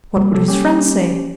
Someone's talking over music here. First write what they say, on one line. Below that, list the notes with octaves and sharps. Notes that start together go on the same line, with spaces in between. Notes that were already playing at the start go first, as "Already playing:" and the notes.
What would his friends say?
G3 A#3
C3 G4 A4
C#4 G4